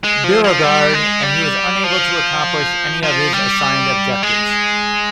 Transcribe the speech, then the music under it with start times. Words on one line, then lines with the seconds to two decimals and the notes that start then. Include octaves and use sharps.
Beauregard, and he was unable to accomplish any of his assigned objectives.
0.04 G#3
0.24 F3
0.44 F3
0.63 G3
0.93 G#3
1.23 G3
1.84 F3
3.03 F3
3.33 G3
4.23 G#3